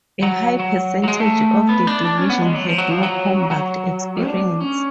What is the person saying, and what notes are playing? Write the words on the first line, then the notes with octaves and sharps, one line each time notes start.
A high percentage of the division had no combat experience.
F#3
F#3
F#3
G#3
A3
B3
D4
D4
C#4
B3
G#3
F#3
F3
F#3
F3
F#3
F#3
D4
C#4